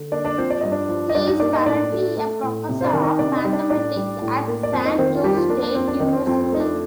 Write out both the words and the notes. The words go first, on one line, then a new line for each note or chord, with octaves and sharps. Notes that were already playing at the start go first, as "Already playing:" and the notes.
He is currently a professor of mathematics at San Jose State University.
Already playing: D3
A#3 D4 D5
D4 D5
F3 C4 C5
D5
G2 D#5
D4 D5
F3
D#5
G2 D4 D5
D#4 D#5
A#3 D4 D5
D#4 D#5
A2 D4 D5
A3
A3
A2
C3
C5
D4 D5
D#3
D#4 D#5
C3 D4 D5
D#4 D#5
G3
D4 D5
A2 D4 D5
G3
A2
A#3
D5
F2 C4 C5
D#4 D#5
D#3 C4 C5
F4
F2 G3 G4
F3 F4
A#3 D4
D4
F2 C4
D4
D#3 D#4
C4
F2 C4
C4
A3 D#4
D4